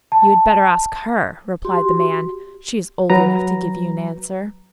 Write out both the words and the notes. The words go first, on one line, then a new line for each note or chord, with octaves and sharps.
'You had better ask her,' replied the man, 'she is old enough to give you an answer.'
A5
F#4 G4 C6
F#3 B4 A#5